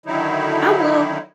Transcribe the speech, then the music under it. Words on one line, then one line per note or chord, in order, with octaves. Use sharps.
I will
D3 D#3 F#3 D#4 E4